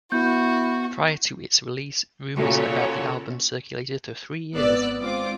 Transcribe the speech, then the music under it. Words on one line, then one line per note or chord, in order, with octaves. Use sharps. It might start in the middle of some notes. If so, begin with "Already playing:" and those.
Prior to its release, rumors about the album circulated for three years.
B3 E4 F#4 G6
A#2 C#3 F#4 A4 C#5
G#1 B3 D5 E6 F#6
G#2 C4 F4 D6